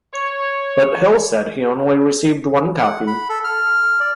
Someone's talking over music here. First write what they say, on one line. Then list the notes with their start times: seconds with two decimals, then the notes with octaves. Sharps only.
But Hill said he only received one copy.
0.13 C#5
2.77 F#5
3.07 B5
3.29 A4
3.44 F6
4.00 D5